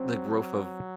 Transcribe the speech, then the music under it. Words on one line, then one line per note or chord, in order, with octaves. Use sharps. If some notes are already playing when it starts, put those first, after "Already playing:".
the growth of
Already playing: F#3 C4